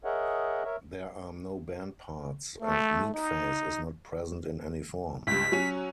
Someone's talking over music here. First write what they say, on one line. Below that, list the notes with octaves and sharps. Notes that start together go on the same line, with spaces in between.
There are no band parts and "Meatface" is not present in any form.
G#4 A#4 C#5 D#5 E5 F#5
A#4 C#5 E5
A3
D#4
C#2 G2 B6
F#3 C#4